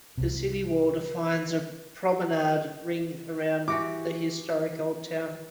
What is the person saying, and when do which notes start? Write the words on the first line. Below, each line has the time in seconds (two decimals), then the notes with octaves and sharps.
The city wall defines a promenade ring around the historic Old Town.
0.18 C2 C3
3.68 E3 E4 F#4 G4 D6